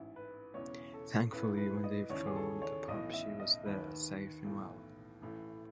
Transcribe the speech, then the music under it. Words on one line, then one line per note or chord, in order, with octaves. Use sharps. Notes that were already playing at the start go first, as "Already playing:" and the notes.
Thankfully when they phoned the pub she was there safe and well.
Already playing: A1 G#2 E3 E4
B4
E1 E2 C#3 E3 C#5
A4
A1 A2 E3 B4
B4
D#5
D#2 C#3 E3 C#5
G#4
A4
C#5
B1 A2 E3 D#5
E5
D#5
D#2 D#3 B4
B1 A2 E3
A1 A2 E3